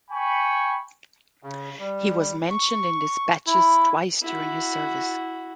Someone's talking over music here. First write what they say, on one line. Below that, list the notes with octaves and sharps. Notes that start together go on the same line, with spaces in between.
He was mentioned in despatches twice during his service.
G5 G#5 B5 C#6
C#3
G3
C#6
E4
E4 F#4